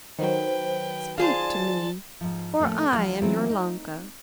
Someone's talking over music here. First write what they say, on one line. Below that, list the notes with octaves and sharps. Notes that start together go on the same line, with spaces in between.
Speak to me, for I am your Ilonka.'
D#3 F#3 B4 C5 G5
F4 G#4 C5 D5 A5 A6
G#2 F3
A2 F3 A3 A#3 C#4
D2 A#2 D3 F3 F#3 F5
E3 F#3 A3 B3 C4 F4
C4 D#4